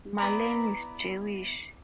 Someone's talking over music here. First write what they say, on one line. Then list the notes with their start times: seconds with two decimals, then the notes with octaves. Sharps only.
Marlens is Jewish.
0.18 B3 E4 D5 A#5